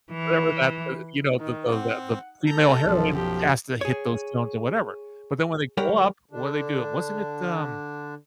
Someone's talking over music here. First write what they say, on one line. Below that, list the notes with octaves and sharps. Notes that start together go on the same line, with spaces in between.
whatever that, uh, you know, the the the the female heroine has to hit those notes or whatever. But then when they grow up, what do they do? Wasn't it, um,
E3
D#3
C4 F#5
A4 A#5 G6
B1 F#2 F3
F3 G4
G#4 C#5
G3 G4 A#4 C#5 F#5
D3 D4